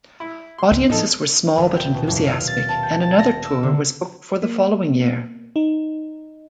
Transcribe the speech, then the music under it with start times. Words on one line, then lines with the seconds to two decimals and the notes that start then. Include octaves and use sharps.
Audiences were small but enthusiastic, and another tour was booked for the following year.
0.20 E4
0.58 C6
0.71 C#2 G#2
0.90 A2 F3 D#4 A4
1.57 D#1
1.76 G5
1.94 B2
2.07 F#1
2.27 F5
2.47 A6
2.69 A5
2.83 G5
3.01 A5
3.19 A#6
3.45 E6
3.63 D3
4.42 A#3
5.56 D#4